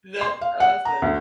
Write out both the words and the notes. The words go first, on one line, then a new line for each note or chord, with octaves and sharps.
That's awesome.
C6
F5
F#5
A#5
D2